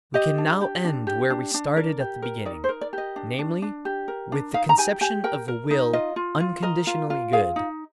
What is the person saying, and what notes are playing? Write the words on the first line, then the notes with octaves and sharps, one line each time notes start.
We can now end where we started at the beginning, namely, with the conception of a will unconditionally good.
G4 D#5
D4
G4
D4
G4
D4
D4
A#4 D5
G4
A#4
D#4 D5
C5
A#4
D5
G4 D#5
D4
D4
D4
G4
A#4
D4
D#4 F5
A#5
G4 G#5
G4 G#5
A#4 G5
A#4
D#4
F4 D#5
F4
F4
A#4 D#5
F4
F4
G#4 F5
D#4